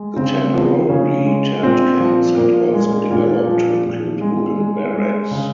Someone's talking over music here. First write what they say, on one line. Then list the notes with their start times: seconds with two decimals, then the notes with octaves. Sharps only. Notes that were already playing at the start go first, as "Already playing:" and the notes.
The temporary tent camps had also developed to include wooden barracks.
Already playing: G#3
0.16 C#3 C4
0.53 F3
0.89 C#3 C#4
1.26 G#3
1.63 A#2 C4
2.00 F3
2.36 A#2 A#3
2.74 G#3
3.11 A#2
3.47 F3
3.84 A#2
4.21 G#3
4.58 G#3
4.94 G#3
5.31 C#3